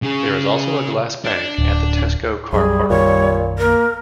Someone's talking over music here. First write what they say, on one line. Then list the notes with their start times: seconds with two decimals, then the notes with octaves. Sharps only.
There is also a glass bank at the Tesco car park.
0.02 C#3 G#4
1.25 D4
1.58 D1
2.52 B1 F#2 F#3 G3 G#4
2.90 B1 F#2 A#2 D#3 C#5
3.59 A#3 A#4